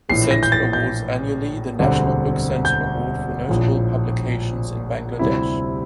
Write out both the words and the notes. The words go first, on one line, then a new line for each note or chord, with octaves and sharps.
The centre awards annually the National Book Centre Award for notable publications in Bangladesh.
A#1 A2 E3 C7
A#6
G6
A6
G6
E1 D2 D3 G3 C4
G6
A#1 A2 F3
D2 C3 G3 C4 E4